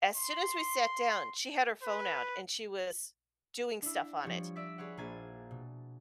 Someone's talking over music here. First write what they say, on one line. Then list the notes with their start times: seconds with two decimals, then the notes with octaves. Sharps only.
as soon as we sat down, she had her phone out and she was doing stuff on it.
0.15 C6
1.83 B4
3.82 D4 E4
4.22 F3 G3 C#5
4.56 D5 E5 B6
4.78 G#4 B4 C#5 F#5
4.97 A#1 A#3 D4 G#5 G#6 A6
5.51 B2